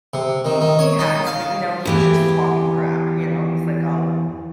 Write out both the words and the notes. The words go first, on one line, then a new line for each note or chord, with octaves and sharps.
He he has, but, you know, he's just talking to crap, you know? He's like, "Oh"
C3
D#3
D#3
C#5
D#4
F5
E2 E3 G4